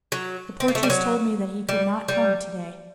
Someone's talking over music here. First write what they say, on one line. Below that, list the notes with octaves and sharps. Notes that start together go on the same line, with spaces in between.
"The portress told me that he could not come to-day."
F#3
C4
A#3
A3
G3
F#3
G3
G3